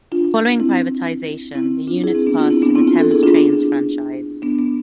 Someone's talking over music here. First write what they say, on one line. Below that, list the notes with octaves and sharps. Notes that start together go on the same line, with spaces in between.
Following privatisation, the units passed to the Thames Trains franchise.
D4 F4
C4 E4
C4 E4
D4 F4
E4 G#4
C4 E4
B3 D4
D4 F4
C4 E4
B3 D4
C4 E4
D4 F4
F4 A4
E4 G#4
D4 F4
D4 F4
B3 D4
B3 D4